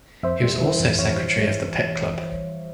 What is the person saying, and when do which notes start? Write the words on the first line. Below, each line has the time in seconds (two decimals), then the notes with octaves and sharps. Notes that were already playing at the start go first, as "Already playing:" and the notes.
He was also secretary of the Pitt Club.
0.23 F2 C5 E5
0.43 G3
0.61 E3
0.80 F2
0.98 F2 C#5 F5
1.17 G3
1.36 G3